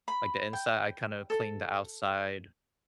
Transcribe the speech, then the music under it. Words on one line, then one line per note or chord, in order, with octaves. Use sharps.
like the inside. I kinda clean the outside,
B5
G5
A4